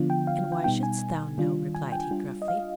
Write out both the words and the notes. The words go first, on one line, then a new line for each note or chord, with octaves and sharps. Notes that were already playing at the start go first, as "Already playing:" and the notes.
"And why shouldst thou know?" replied he, gruffly.
Already playing: D3 F3 B3 D4 F4
G5
F5
G5
B2 G3 B3 D#4 G5
G#5
D#3 G3 D4 F4
G#5
G5
G3 D4 F4
D#5
F5